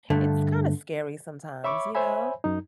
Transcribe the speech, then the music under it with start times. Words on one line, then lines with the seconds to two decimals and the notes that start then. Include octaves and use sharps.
it's kinda scary sometimes, you know,
0.10 G2 D3 A3
1.64 C#5 E5 B5 C#6 D6
1.95 C5 C#5 E5 G#5 B5
2.44 F#2 D#4